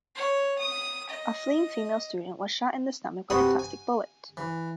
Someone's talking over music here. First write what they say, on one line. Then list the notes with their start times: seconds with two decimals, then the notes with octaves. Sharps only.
A fleeing female student was shot in the stomach with a plastic bullet.
0.15 C#5
0.59 D#6
1.09 D#5
3.30 C3 F#4 B4 F#5 C6 D#6
3.59 G#5
4.37 E3